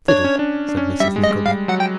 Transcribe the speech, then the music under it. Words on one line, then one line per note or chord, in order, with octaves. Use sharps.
'Fiddle,' said Mrs Nickleby.
D4 C#5
C#4
D4
D4
C#4
G3 E5
G#3
D#5
G#3
G3 F5
F#3 F#5
G5